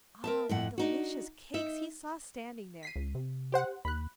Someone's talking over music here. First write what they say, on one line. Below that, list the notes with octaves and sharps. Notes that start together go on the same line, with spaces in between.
Ah, what delicious cakes he saw standing there!
A#4 E5 A5
F2 A2 F#5
D4 D#4 F#4
D#4 E5
B6 C7 D#7
C#2
C3
G4 C5 F#5
D#2 B5 F#6